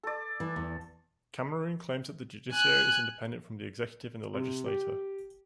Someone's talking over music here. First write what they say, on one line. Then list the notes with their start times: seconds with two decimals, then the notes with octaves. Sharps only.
Cameroon claims that the judiciary is independent from the executive and the legislature.
0.03 A4 D5
0.40 E3
0.56 E2
2.53 G#5 F#6
4.34 C3
4.66 G4